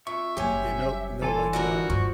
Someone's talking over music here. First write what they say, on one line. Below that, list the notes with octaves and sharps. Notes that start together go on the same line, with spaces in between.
You know no, like, uh,
F2 E5 C#6
F#1 G3 C#4 G4 C5 G#5
E3 A4 G#5 C6
D3 F3 F#4 A#4
G2 F3 C#6